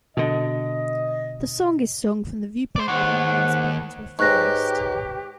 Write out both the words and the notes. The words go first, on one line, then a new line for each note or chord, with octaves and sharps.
The song is sung from the viewpoint of a man speaking to a florist.
B2 D3 D#5
C5 D5
D#2 G#2 F#5 F#6
G#2 G4 B4 C#5 C#6 F#6 A#6